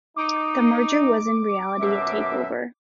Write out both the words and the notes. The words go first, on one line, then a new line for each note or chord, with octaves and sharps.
The merger was in reality, a takeover.
D#4 D6
F#2 B2 E5